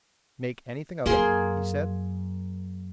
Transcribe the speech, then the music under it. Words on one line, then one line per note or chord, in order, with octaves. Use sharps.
"Make anything of it?" he said.
F#2 A#3 G#4 C6